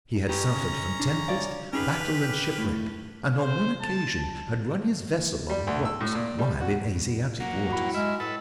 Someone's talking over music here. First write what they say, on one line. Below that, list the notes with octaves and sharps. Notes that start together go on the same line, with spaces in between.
He had suffered from tempest, battle and shipwreck, and on one occasion had run his vessel on the rocks while in Asiatic waters.
C#4 G4 B4 A#5
C#3
D4
C#5 D5 F5
C#4 D#4 G4 G#4 B4 F6
A2
C5
A5
G3
D2
E6
A2
A#2
G3
F#4
F#3 A#3 F#5
A2 F#4 B5
G#3 E4 F6
A2 A4 B4 E6